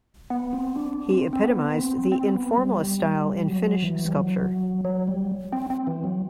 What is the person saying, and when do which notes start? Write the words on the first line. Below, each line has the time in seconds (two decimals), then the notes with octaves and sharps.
He epitomised the Informalist style in Finnish sculpture.
0.30 B3
0.53 C4
0.76 D4
1.10 C4
1.33 C4
1.44 B3
1.78 C4
2.12 C4
2.35 B3
2.58 G3
3.48 F#3
3.82 E3
4.05 G3
4.16 F#3
4.85 F#3
5.08 G3
5.53 C4
5.70 C4
5.87 E3
6.04 F#3